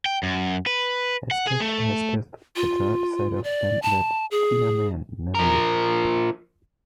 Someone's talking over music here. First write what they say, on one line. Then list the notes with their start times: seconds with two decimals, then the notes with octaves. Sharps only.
Hesketh Hesketh-Prichard said of them that "keener men never lived".
0.06 G5
0.23 F#2
0.66 B4
1.31 F#5
1.47 G#4
1.60 A3
2.56 F4
3.44 D5
3.82 A5
4.31 G#4
5.35 F3 A#4